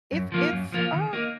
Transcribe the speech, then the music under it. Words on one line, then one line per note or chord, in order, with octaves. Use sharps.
it's it's, uh
F#2
F3 A#3 F4
F#2
F3 A#3 F4
D#3
A#3 D#4